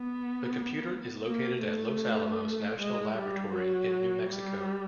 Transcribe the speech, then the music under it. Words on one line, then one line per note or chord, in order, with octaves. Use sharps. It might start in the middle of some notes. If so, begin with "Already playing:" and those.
The computer is located at Los Alamos National Laboratory in New Mexico.
Already playing: B3
A#3
A3
G#3
G3
F#3
G3